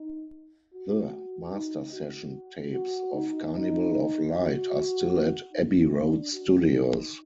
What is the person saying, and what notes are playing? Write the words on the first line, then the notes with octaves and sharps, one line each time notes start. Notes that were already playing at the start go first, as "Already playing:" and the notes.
The master session tapes of "Carnival of Light" are still at Abbey Road Studios.
Already playing: D#4
F#4
D#4
F#4
F#4
D#4
D#4
F#4
D#4
D4
F#4
D#4